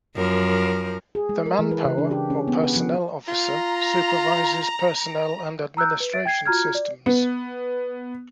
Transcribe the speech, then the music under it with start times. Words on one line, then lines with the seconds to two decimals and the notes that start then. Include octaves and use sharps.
The manpower or personnel officer supervises personnel and administration systems.
0.16 F#2 F3 A#4
1.15 G#4
1.29 G#3
1.46 A#4
1.59 E3
1.71 B4
1.85 C#3
1.98 D4
2.11 G4
2.30 C#4
2.48 B3
2.64 B4
2.76 F3
3.28 F4 A#5
5.77 A#5 E6 F#6 G6
6.00 B4
6.13 E5 A6 D7
6.25 G5 G#6 C7
6.46 F4 F#4 A#5 F6 G#6
6.75 D5
7.06 B3